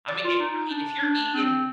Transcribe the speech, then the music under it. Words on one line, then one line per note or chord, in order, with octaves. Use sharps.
I mean, eh I mean, if you're eating
D5
F4
D#4
D4
D4
C4